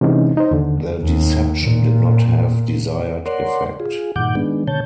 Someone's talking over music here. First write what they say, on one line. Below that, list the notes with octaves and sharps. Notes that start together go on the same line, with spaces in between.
The deception did not have desired effect.
C3 E3 G#3 C#4 D#4
D#4 C5
D#2 D3
D#2
A#2
A#4 C#5 D5 F#5 C6
F4 G#4
G2 A#2 D#3 F#5 D6 G6
D#3 G#3 B3 D4
B2 D3 C#5 A5 G6